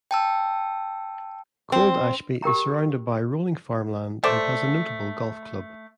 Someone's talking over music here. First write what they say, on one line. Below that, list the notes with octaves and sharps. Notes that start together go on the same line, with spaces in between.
Cold Ashby is surrounded by rolling farmland, and has a notable golf club.
G5 A5 E6
C4
G4 A#4 G5 A#5
A3 C5 D5